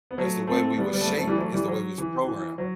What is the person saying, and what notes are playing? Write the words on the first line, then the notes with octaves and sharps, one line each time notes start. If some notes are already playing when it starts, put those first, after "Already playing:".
It's the way we was shaped, it's the way we was programmed.
B3
F#3 A3
A3 C4
A3
G3 B3
G3 B3
A3
G3 B3
F#3 A3
E3 G3
F#3 A3
E3 G3
F#3
E3
E3
F#3